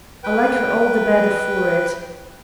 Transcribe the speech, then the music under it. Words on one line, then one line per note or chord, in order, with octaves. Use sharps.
I like her all the better for it.
B4 G5